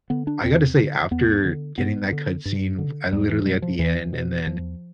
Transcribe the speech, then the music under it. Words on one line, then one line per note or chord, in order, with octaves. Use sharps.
I gotta say, after getting that cutscene, I literally at the end, and then
D3 B3
D4
E2 C4
D3
E2 B3
D3
G2 B3
D3
G2
D3
E2 G3
E3
B2 G3
F3
E2 E3
B2
E2 F3